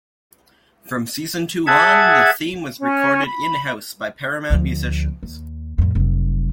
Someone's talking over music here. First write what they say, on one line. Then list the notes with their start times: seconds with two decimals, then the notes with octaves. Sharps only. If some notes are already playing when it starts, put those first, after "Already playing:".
From season two on, the theme was recorded in-house by Paramount musicians.
1.67 G#4 E5 F#5 A5 G#6
2.80 C#4
3.25 B5
4.50 D2 F3
5.23 D#2
5.78 F2 A2
5.95 F1 F#3